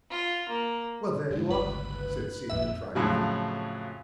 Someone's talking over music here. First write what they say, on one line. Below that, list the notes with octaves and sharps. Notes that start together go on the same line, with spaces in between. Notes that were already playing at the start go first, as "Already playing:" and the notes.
"Well, there you are," said Celia triumphantly.
F4
A#3
G2 C#3 G#3
G1 C#2 B4
G#1 F2 A#2 E5
F2 A2 C#3 F#3